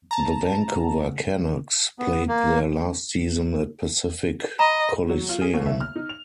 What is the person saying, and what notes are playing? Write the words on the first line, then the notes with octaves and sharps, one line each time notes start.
The Vancouver Canucks played their last season at Pacific Coliseum.
A5 A#5
B3
A#3
D#5 A#5 B5
F#3
F4
G#4
D#2
E5
F6
D#4
F7